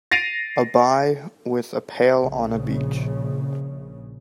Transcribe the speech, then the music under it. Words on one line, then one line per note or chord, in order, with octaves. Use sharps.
A buy with a pale on a beach.
A6 A#6 C7 D7 D#7 F7
A#1 C#3